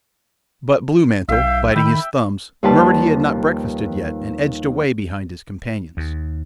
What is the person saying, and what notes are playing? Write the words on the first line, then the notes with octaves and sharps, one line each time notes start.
But blue-mantle, biting his thumbs, murmured he had not breakfasted yet and edged away behind his companions.
B1 E5 F5 G5
D#3 G5 B5
D#2 F3 G3 B4 A5
D#2